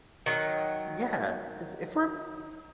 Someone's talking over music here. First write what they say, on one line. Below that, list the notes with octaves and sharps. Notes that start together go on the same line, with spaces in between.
Yeah, 'cause if we’re
D#3 F#3